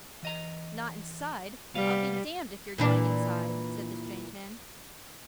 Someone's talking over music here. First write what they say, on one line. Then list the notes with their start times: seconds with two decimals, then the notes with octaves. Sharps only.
'Not inside--I'll be damned if you're going inside,' said the strange man.
0.23 E3 D#5 A#5
1.75 C2 G3 B3 F5
2.78 A#2 E3 D4